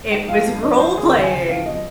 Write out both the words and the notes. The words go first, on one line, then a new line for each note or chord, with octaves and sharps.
It was role playing.
G#2 G5
F3 F5
G2
F3 D#5
F3 C5
D#2 G#4
A#4
C#3 F5
G#5
C#3 G5
F3 F5
D#5